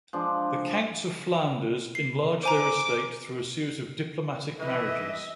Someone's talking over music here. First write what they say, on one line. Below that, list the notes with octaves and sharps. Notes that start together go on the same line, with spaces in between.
The Counts of Flanders enlarged their estate through a series of diplomatic marriages.
F3 G#3 D4
C7
C5 G#5 A#5 D6
E3 D#5 E5